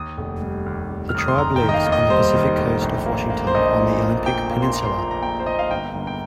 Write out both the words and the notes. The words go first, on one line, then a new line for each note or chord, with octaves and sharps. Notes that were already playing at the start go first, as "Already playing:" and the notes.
The tribe lives on the Pacific Coast of Washington on the Olympic Peninsula.
Already playing: D#2 D#6
F1
G3
D#2
F1
F6
D#2 D#6
C6
F1 A#5
G5
D#3
D#5
F5
D#2
D#5
G3 C5
D#3
F1
A#1
A#3
A#3
C5
A#1 D#5
A#2
A#3
A#2 G5
A#3
C6
A#2 A#5
C6
F3 A#5
A#5
A#3 G5
C5
A#3 D#5
F5
G1 G5
G1
G5